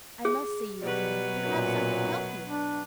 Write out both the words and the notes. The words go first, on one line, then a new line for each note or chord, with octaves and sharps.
I must see you again; and perhaps I could help you.
G#4
B2 F#3 G3 B4
F#2 A#2
D4